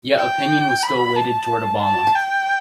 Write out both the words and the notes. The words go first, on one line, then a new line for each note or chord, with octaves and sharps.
Yet opinion was still weighted toward Obama.
G5
B5
A5
A5
G5